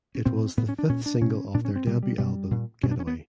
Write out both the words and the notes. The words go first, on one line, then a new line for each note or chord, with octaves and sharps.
It was the fifth single off their debut album "Getaway".
C#4
A#2 C4
A2 B3
C#4
D4
A#2 C#4
D4
B2 C#4
A#2 D4
C#4
C4
B2 G3
G3
B2 G3
A#2
B2 C#4
D4
C#4
B3